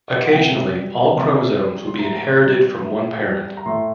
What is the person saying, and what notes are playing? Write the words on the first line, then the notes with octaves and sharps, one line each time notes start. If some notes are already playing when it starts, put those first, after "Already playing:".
Occasionally, all chromosomes will be inherited from one parent.
D5
D#5
F#5
C3 G5
G3
C3
G3
C6
A2 A#5
G3
A2
G3
A#5
A2 C6